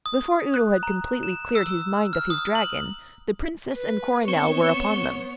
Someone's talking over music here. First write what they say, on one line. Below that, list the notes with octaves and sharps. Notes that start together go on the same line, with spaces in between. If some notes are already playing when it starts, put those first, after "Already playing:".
Before Udo had completely cleared his mind of his dragon, the Princess and Coronel were upon them.
D#6
F#6
A#5
E7
E6
F6
D#6
F#7
B4
B3 C4 C#5 C#6